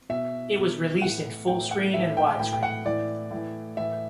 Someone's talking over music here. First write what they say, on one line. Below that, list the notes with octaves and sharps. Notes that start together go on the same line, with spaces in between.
It was released in Full Screen and Widescreen.
B2 E5
B2
A2 E3 F#5
A2 E3 G5
F#5
A2 E3 E5
G5
A2 E3 G5
G5
F#5
A2 E3 D5
A2 E3
A2 E3 E5